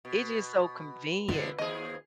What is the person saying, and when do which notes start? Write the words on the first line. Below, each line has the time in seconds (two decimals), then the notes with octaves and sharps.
It's just so convenient.
0.05 B2
1.28 D3 G#3 B3 F4
1.59 D#2 F3 G#4 D#5